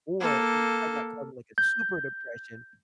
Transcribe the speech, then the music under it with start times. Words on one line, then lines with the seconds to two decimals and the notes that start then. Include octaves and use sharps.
or, you know, if I got caught in, like, a super depression,
0.20 A#3 A4
1.58 G6